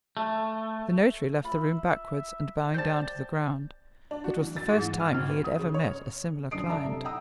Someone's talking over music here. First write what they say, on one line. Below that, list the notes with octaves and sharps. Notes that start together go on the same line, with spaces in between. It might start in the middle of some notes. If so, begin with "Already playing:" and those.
The notary left the room backwards, and bowing down to the ground; it was the first time he had ever met a similar client.
A3
F4 E5 B5
G4 C5 D5 A5 G6 A6
D4
F#4
E3
A6
G#2
E3
F6
G#1
B3
D#6
C#3
C#5
B1 F#2 D3 D#6 C7 D7
A4 D5 E5 A5 A#5
C3
F#5 G5 A#5 D#6 E6